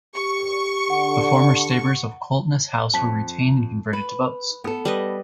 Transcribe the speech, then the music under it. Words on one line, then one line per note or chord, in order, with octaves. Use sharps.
The former stables of Coltness House were retained and converted to boats.
G4 C#6
D3 F#5
F2 A5 B6
B4
B3 A4
G3 B4 D#5